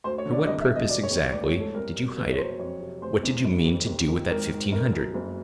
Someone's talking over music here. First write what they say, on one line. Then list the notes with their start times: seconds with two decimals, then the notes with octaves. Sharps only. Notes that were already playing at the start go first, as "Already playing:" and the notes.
For what purpose exactly did you hide it, what did you mean to do with that fifteen hundred?
0.04 D2 C5
0.18 C#5
0.25 D3
0.33 D5
0.47 C2 D#5
0.61 E5
0.68 B2
0.76 D#5
0.89 E1 D5
1.03 C#5
1.10 D#2
1.18 C#5
1.31 A1 D5
1.46 C#5
1.53 G#2
1.60 A4
1.74 C2 A#4
1.96 B2
2.16 F#1 B4
2.32 C#5
2.38 F#2 C5
2.59 F2 C#5
2.81 C3
3.02 F1 C5
3.23 E2
3.45 G1
3.66 F2
3.87 D#2
4.08 D#3
4.30 G#1 A#4
4.51 G#2
4.72 G1 A#4
4.93 F#2
5.14 F#1